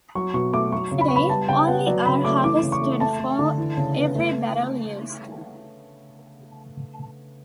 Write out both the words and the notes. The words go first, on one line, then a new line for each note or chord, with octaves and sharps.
Today only are harvested for every barrel used.
F#3 C#6
B2 C#6
A3 D6
F#3 C#6
C#3
B5
B3 C#6
B5
G3 A5
C#3 G5
B3 F#5
F#3 D5
C#3 B5
A3 D6
E3 D6
C#3
C#6
A3
A3 A5
A3
D3
E3
C#3
B3
A3